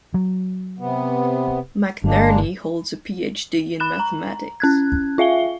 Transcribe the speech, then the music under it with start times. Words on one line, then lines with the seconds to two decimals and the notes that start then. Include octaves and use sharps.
McNerney holds a Ph.D in mathematics.
0.14 F#3
0.79 C3 B3
2.04 G1 G#3 A#3 D4
3.80 B5 F#6 E7
3.99 A#5
4.60 C#4 F#6 G#6
5.18 F4 E5 F5 G7